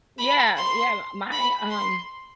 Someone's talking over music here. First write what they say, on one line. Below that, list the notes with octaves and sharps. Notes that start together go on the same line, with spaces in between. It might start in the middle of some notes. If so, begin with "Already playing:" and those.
Yeah, yeah, my, um
B5
C6
B5
C6